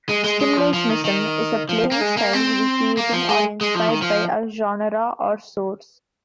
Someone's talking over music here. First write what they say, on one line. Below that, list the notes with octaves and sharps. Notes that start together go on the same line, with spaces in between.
Simulationism is a playing style recreating, or inspired by, a genre or source.
G#3
G#3
G#3
F3
F3
D#3
D#3
F3
A#3
G#3
A#3
C4
A#3
F3
G#3
G#3
F3
D#3
F3